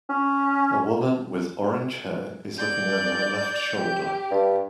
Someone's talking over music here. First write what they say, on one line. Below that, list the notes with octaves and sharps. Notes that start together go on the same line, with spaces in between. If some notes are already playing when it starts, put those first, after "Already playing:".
A woman with orange hair is looking over her left shoulder.
C#4
D5 G6
G4
G2